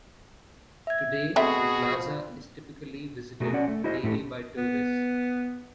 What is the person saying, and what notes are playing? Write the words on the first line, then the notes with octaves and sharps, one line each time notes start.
Today, the plaza is typically visited daily by tourists.
E5 G#6
B2 A3 C4 F#4 G#4 E5 G5 B5
F3
B2 A3 F#4 G#4 A#4
C#4 D5 F#5
A3
E4 F#4 G#4 C5 D#5
A2 E4 G4 A4
B3